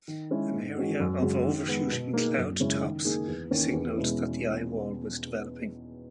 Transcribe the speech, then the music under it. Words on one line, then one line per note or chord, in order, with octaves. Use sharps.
An area of overshooting cloud tops signaled that the eyewall was developing.
D#3
G#3 C#4 E4 G#4
G#2
D#3 G#3 C#4 F#4
F#2
C#3 G#3 C#4 F#4
D#3
G#3 B3
B2
A#3 D#4 G#4
F#2
C#3 G#3 C#4 E4
D#3
A#3 D#4 G#4
E2
D#3 A#3 C#4
E2
B2 G#3 C#4 E4